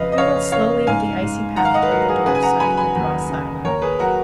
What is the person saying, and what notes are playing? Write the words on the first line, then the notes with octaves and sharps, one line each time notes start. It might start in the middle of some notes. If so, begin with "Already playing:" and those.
We went slowly up the icy path toward the door sunk in the drawside.
Already playing: F2 C#3 B4 D#5 F5
D#5
C#3 C#5 F5
C#3 C#5 F5
G#2 F5 G#5
G#2
D#3 F#5 A#5
F5
D#5 F#5
B4
F#3 F#4 A#4
G#4
C#3 G#4 B4
G#5
F#5 A#5
F#3 G#5 B5
G#5 B5
D#2
C#3
D#2 A#4 C#5
G#4 B4
F#3 F#4 A#4